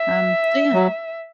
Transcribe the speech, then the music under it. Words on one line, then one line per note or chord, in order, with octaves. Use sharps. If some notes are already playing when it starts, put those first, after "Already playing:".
Um, so yeah.
Already playing: E5
F#3